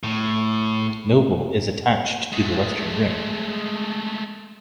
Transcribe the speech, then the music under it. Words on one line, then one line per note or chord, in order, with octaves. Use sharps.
Nobile is attached to the western rim.
A2
G#3 A3